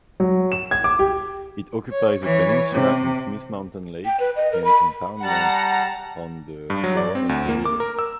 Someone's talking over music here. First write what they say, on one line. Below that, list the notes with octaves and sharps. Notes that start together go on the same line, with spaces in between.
It occupies a peninsula in Smith Mountain Lake, an impoundment on the Roanoke River.
F#3
E7
G#6
D6
G4
C#5
E3 C#5
C3
G5
B4
D#5
A#4
B5
G3 F#5 A5 A#5
G2
F#3
D5
C4
D2
A#3
D6
A#4
E6